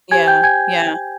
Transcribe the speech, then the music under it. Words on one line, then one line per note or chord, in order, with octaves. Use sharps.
Yeah. Yeah.
G4 C5 G#5 G#6
G5 G6
G#5 G#6